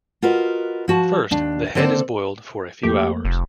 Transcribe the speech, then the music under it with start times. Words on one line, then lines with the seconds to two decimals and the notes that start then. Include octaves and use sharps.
First, the head is boiled for a few hours.
0.22 F4 F#4 A#4 B4 D#5
0.88 F3 F#4 A5
1.31 D#2 D4
1.75 D3 A#3 C4 A4 C5 D5
2.83 F2 A3 A#3 G4
3.25 F1